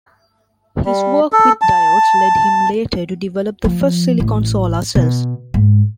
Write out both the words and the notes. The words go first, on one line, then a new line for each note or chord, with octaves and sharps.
His work with diodes led him later to develop the first silicon solar cells.
G3
A4
A5
F3
A1
B2
G#2